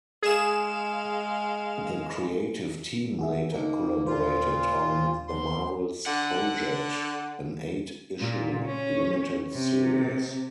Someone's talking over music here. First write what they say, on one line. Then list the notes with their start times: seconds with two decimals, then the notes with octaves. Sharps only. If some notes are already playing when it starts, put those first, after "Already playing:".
The creative team later collaborated on "The Marvels Project" an eight issue limited series.
0.23 G#3 G#4 F5 E7
3.19 F#4 G#4 E5
3.52 A#3 D#4 A4 A#4
4.07 D#2 A#2 F4 C5
5.28 B2 C6
6.06 D3 F#5
8.20 A#2
8.67 C#4
9.53 C3